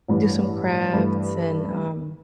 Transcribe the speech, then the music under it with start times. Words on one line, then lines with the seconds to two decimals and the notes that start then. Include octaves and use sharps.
do some crafts and, um,
0.08 A1 G2 E3
0.93 G2 E3 A3